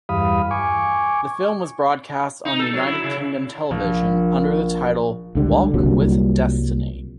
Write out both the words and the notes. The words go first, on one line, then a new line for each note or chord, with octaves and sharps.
The film was broadcast on United Kingdom television under the title "Walk With Destiny".
E2 G2 F5 B5 D#6
G#5 C#6 D6
D#4
A4
F#3
E4
C#3
A#1
C#2 D3 G3
C2 A#2 F#3 G3